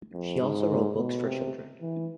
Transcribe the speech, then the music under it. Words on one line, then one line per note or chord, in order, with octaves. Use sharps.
She also wrote books for children.
F2
G#2
B2
C3
E3